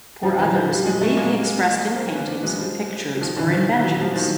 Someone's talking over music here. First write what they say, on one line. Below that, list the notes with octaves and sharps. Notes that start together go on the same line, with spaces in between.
For others, it may be expressed in paintings, pictures, or inventions.
F3 G3
E3 F#3
F3 G3
G3
F#3 G#3
G3 A3
G#3 A#3
A#3 C4
B3 C#4
C4 D4
F#3 G#3
F3 G3
F#3
D#3 F3
D3 E3
D#3 F3
E3 F#3
F#3
F3 G3
D#3 F3